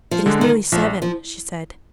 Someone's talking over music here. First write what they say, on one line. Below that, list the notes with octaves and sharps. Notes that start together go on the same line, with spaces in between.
'It is nearly seven,' she said.
F3
D3 G#3
D#3
A#1 F3
F3